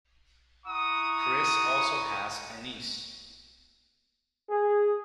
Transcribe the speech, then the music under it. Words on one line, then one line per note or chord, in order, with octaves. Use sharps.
Chris also has a niece.
E4 F#5 A#5 B5 C#6 D#6
G#4